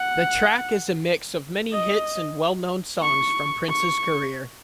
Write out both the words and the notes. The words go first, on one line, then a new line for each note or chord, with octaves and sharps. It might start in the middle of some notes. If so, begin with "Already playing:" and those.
The track is a mix of many hits and well-known songs from Prince's career.
Already playing: F#5
D#5
C#6
C#6